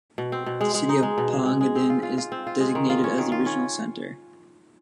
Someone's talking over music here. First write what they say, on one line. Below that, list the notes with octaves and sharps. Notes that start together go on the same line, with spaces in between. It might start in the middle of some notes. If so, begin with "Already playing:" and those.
The city of Pagadian is designated as the regional center.
B2
C4
B2
G#3
G#3
D#4
G#3
B2
G#3
G#3
G#3
C4
F4
F4
F4
C4
F4
G#3
D#3
F4
C#4
D#3
F4
C#4